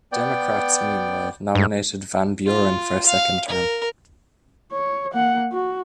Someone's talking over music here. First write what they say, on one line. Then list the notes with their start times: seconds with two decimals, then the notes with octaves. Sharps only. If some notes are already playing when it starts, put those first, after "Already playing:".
Democrats, meanwhile, nominated Van Buren for a second term.
0.12 B3 D5 G5
1.55 G2
2.46 F4
3.06 F5
3.48 A#4
4.72 C#5
5.12 A#3 F#5
5.52 F#4